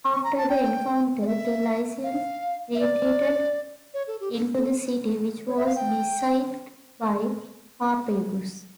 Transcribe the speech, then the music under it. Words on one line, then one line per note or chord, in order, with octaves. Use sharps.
After the encounter, the Lycians retreated into the city which was besieged by Harpagus.
C#6
A#5
A5
G5
D5
E5
F5
E5
D5
C#5
A4
G4
A4
A4
C#5
E5
F5
G5